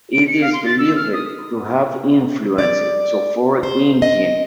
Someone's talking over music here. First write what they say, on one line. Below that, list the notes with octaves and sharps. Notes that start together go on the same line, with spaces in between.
It is believed to have influenced the Ford engine.
D7
C#7
F5
C6
A6
E6
F6
D#6
D5
C5
D#5